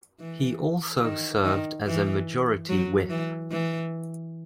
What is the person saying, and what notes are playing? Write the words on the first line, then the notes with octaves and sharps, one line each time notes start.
He also served as a majority whip.
E3
D#3
D#3
E3
F#3
E3
E3